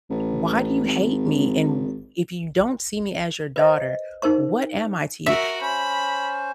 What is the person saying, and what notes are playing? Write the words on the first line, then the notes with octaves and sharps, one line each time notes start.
why do you hate me? And wh if you don't see me as your daughter, what am I to you?"
A1
G#1
B4 C5 D#5
D#4 A#4 C5 C#6
F#4 A#4 E5
C#4 C5 B5